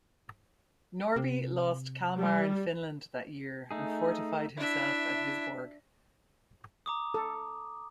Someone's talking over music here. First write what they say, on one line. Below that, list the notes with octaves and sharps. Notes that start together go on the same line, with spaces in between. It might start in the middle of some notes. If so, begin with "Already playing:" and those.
Norby lost Kalmar and Finland that year, and fortified himself at Visborg.
C3
G3
A3 D#4 G#4
D4 E4 E5
A#5 D6 D#6
A4